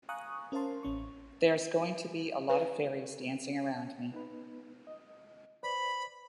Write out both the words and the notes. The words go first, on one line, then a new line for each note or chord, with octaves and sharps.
There's going to be a lot of fairies dancing around me.
F5 G#5 A#5 C#6 D#6 F#6
C#4 A#4 C5 F5 A5 C6
A1 C#4 C#6
B4
B3 D#4 B4
D#5
B4 C5 D5 B5